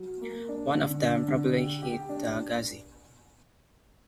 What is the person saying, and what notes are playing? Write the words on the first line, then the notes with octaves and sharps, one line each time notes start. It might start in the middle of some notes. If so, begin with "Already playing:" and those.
One of them probably hit the "Ghazi".
Already playing: F#3
A#3
D4
D3
D4
D3
G4
G4
D4